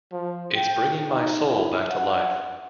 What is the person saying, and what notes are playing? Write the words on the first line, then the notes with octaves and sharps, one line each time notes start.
It's bringing my soul back to life.
F3
G5
D#4
E4
F#5